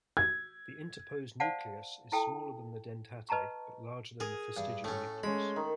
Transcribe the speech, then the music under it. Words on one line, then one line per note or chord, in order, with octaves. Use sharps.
The interposed nucleus is smaller than the dentate but larger than the fastigial nucleus.
G#6
C5 D5 F5 F#5 A5
E4 F4 A4 G5 A5
B4 D#5 A5 A#5 C#6
G#4 A#4
G2
A2 A3 C#4
G#3 C#4 B5
D#3